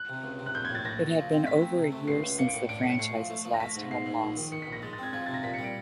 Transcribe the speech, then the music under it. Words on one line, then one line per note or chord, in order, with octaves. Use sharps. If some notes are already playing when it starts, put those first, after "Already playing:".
It had been over a year since the franchise's last home loss.
Already playing: F#6
C3
C#2
C3
F#6
A#1 G6
G#6
A2
A6
A#1 A#6
A#1
F3
C4
A3 B6
C4
C3
A3
C#2 C7
C#2
A#3 C#7
D7
A2
D4 D7
C#7
A2
C#7
A3 C7
F3
A3
F3
A#6
A3 B6
G#2
G#2 C7
G#2
A#1
D#3
D#3 C#7
B6
A#1
A#6
G#3 A6
A6
C4 G#6
F3 G#6
C3 A6
A#6
A#2 B6
C#7
G3
D7